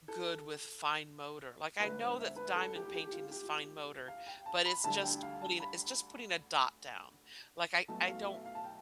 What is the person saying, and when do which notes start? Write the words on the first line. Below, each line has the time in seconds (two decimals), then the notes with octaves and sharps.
good with fine motor. Like, I know that diamond painting is fine motor, but it's just putting it's just putting a dot down. Like, I I don't
0.08 A4
1.79 E1 D2 D3 B4
1.99 C5
2.18 E5
2.36 B4
2.56 A4
2.75 G4
2.94 G4
3.13 F4
3.31 G4
4.08 F5
4.27 G5
4.46 A5
4.66 B5
4.84 D2 D3 G3 A5
5.03 G5
5.23 F5
5.41 A5
5.60 B5
7.88 B1 B2 A3 A5
8.07 F5
8.22 F5
8.26 E5
8.46 F5
8.55 A5
8.64 G5